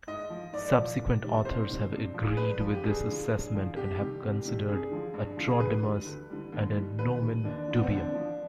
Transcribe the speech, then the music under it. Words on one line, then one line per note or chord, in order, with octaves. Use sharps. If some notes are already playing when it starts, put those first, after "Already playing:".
Subsequent authors have agreed with this assessment and have considered "Antrodemus" a "nomen dubium".
G#2 D#5
F3
G#2 D5
F3
C2
C3 D#3 G3
C2 C5
C3 D#3 G3
G2
F3
G#4
G2 B4
F3
G4
G2 G#4
D3 F3
G2
D3 F3
C2 G4
C3 D#3 G3
C2
C3 D#3 G3
G2 G#4
D3 F3
G2
D3 F3
G#4
D2 B4
D3 G3
D2
D3 G3
D#2
D#3 G3
D#2 B4
D#3 G3
D#2 D4
D3 F3
B3
C4
D#2 D4
D3 F3